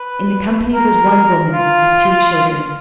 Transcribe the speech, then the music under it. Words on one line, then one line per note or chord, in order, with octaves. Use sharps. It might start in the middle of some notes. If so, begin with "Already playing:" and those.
In the company was one woman, with two children.
Already playing: B4
A#4
F4